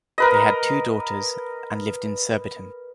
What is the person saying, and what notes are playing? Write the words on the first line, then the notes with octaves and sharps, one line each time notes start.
They had two daughters and lived in Surbiton.
A#4 B4 D#5